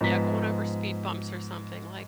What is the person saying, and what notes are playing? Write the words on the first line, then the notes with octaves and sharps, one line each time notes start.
yeah, going over speed bumps or something, like
G#2 F3 B3 A#5 B6